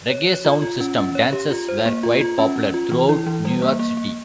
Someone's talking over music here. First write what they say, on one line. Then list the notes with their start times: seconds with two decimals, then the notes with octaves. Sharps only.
Reggae sound system dances were quite popular throughout New York City.
0.10 C#5
0.27 C#5
0.45 F4
0.62 F4
0.81 C#4
0.98 C#4
1.15 C#5
1.33 G4
1.51 F4
1.69 C5
1.86 A#3
2.03 F4
2.21 F4
2.39 C#4
2.56 C#4
2.74 F4
2.92 E3
3.09 E4
3.26 E3
3.45 G3
3.62 A#3
3.79 A#3
3.97 A#3